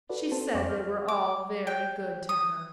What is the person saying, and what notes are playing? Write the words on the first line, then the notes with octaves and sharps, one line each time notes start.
She said they were all very good to her.
F#4 A4 B4 D5
C4 A4 C5 A5
F2 C4 C5 C#6 D6
F6 G6
D6
G5
D#6